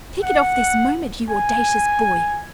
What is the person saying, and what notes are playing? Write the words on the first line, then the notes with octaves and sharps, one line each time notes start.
'Take it off this moment, you audacious boy!
F#5
G#5